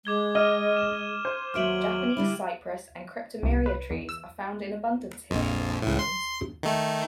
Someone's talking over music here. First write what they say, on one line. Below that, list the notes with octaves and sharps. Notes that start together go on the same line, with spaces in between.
Japanese cypress and cryptomeria trees are found in abundance here in the mountains.
G#3 D6 G#6 G7
D#5 F6 D#7 G7
E7
C5
D#2 F#3 F#4 E5 F6 D7 F#7
D3 G3 E4
C2
B4
E2
E6
A#1 F2
C#2 A2
C6
D#3 A3